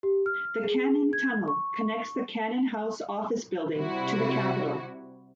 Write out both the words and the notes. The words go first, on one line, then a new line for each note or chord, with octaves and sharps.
The Cannon Tunnel connects the Cannon House Office Building to the Capitol.
G4
F6
G#4
G#6
C#6
C3 G3 E4 F#4